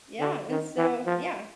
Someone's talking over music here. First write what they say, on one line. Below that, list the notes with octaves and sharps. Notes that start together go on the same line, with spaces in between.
Yeah, and so yeah.
D3
D#3
E3
F3